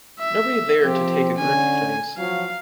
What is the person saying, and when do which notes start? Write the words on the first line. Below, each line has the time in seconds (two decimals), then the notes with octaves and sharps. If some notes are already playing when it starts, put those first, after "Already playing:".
Nobody there to take a grip of things.
0.19 E5
0.83 F3 C4 G4
1.37 D3 C#4 G#5
2.18 F3 F#3 F5